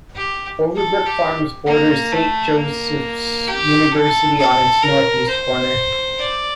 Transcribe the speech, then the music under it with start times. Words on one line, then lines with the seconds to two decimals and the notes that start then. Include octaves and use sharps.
Overbrook Farms borders Saint Joseph's University on its northeast corner.
0.15 G4
0.76 A4
1.06 G4
1.66 A#3
2.12 A3
2.57 A#3
3.48 G4
3.92 A4
4.38 A4
4.83 A#4
5.28 C5
6.18 D5